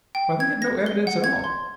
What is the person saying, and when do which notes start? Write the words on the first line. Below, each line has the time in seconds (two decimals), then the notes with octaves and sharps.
Why they have no evidence at all!
0.15 G5
0.40 G#6
0.62 A#6
0.86 G7
1.07 F#5
1.24 G#6
1.44 C6